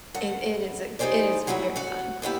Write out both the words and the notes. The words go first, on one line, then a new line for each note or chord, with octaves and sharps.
i it it is it is very fun.
G2 F#5
E3 D#4 G4 G#4 C5 D5
F#3 G3 C#4 E4 F#4
F#4 F#5
D#2 B3 E4 G4